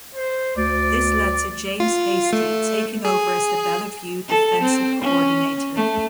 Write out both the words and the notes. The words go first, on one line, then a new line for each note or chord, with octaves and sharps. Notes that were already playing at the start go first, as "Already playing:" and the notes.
This led to James Hasty taking over as the Bellevue defensive coordinator.
C5
D2 D5
F4
A3
G#4
A4
C4
C#4
A3